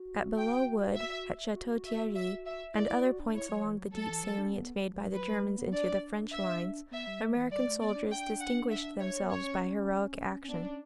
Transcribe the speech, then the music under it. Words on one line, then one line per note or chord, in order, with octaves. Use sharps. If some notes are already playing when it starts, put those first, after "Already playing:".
At Belleau Wood, at Chateau-Thierry, and other points along the deep salient made by the Germans into the French lines, American soldiers distinguished themselves by heroic action.
Already playing: F#4
G5
E5
F#4
E5
E5
E5
E4 D5
E4
F#4
D4
E4 C#5
F#3
E3
F#3
F#3 A4
E3
F#3
D4
C#4
B3
F#3
F#3 B4
G3
A3
B3
D4 D5
E5
B3 E5
G3
A3
E3
G3 D5
A3
B3 D5
D4
C#4
G5
D4
F#5
E5
C#5
B3
C#4 C#5
C#4
B3 D4
C#4